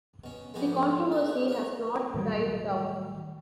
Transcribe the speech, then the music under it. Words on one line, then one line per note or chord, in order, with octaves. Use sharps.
The controversy has not died down.
B2 C#4
F2 G#2 B3 F#4 G4 G#5
A4 A#4
G4 G#4
F4 C#5
A2 D#3 F#3 G3